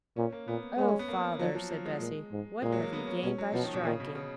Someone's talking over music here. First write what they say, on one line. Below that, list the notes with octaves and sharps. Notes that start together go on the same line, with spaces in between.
'O, father!' said Bessy, 'what have ye gained by striking?
A#2 C#4
A#3
A#2 B3
G#3 C#4
C#4
B3
A#3
F3 F#3
F3
F3
G#3
A#2
G#2
A#2 G#3
F#3
A#3
B3
C#4
B2 C#4
F#3
B2 F3
D#3
B2
A#2 C#3
B2
C#3